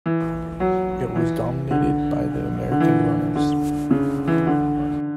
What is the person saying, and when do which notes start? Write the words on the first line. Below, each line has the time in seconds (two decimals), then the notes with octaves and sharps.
It was dominated by the American runners.
0.06 E3
0.60 F#3
1.16 E3
1.71 D3
2.72 D3
2.80 E3
3.36 D3
3.91 C#3
4.28 E3
4.47 D3